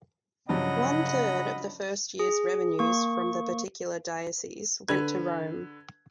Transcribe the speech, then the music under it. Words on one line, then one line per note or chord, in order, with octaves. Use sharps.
One third of the first year's revenues from the particular diocese went to Rome.
G2 C#3 F3 F#3 D#5 F#5 B5
G#4
A#3 C#6
D3 B4 G#6